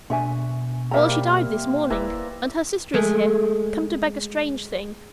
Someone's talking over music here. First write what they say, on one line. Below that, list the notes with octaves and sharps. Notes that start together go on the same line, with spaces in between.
'Well! she died this morning, and her sister is here--come to beg a strange thing.
B2 D4 E5 G#5 C#6
G3 A#3 C4 E5 A#5
D#1 E4 B4 D5 E5 A#5
G#3 A3 G#4